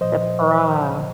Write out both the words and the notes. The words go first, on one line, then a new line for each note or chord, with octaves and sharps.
The bra.
A#2 F3 C5 D#5